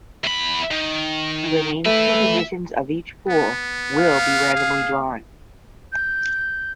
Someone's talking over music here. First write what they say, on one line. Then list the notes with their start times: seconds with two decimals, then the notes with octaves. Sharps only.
The remaining two positions of each pool will be randomly drawn.
0.24 E2 B5
0.71 D#3
1.86 A3 E4 B4
3.29 B3
3.98 F5
4.55 G#4
5.92 G6